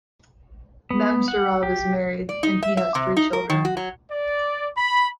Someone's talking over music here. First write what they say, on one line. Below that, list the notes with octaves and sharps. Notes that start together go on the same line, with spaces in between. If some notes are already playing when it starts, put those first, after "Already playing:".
Mamsurov is married, and he has three children.
B3
F#5
G4
D5
D#4
E5
E5
C3
D#4
A#4
D#3
F#4
F#3
D5
B5